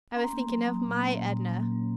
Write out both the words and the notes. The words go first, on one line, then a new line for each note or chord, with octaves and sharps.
I was thinking of MY Edna.
C#4 A#5 C6
A#3
F#3
F#3
A#2
C#4
A#2
F#3
A#3
C#4